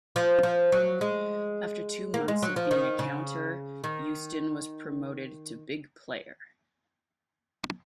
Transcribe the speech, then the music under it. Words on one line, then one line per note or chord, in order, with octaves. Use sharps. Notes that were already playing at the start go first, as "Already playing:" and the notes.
After two months of being a counter, Uston was promoted to "Big Player".
F3
F3
F#3
G#3
A#3
G#3
F#3
F3
D#3
C#3
D#3